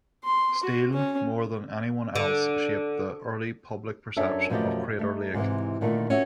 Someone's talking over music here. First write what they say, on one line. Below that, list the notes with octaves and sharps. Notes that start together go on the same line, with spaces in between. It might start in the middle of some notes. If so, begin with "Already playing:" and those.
Steel more than anyone else shaped the early public perception of Crater Lake.
C6
F#4
C#4
D3
F#2 C#4 D4 A4 E5
F#2 B2 F3 A3 G4 D#5
A3 D#4
G#2 C3 D#3 E3
A#2 D3 D#3 A3
C#4 F#4 E5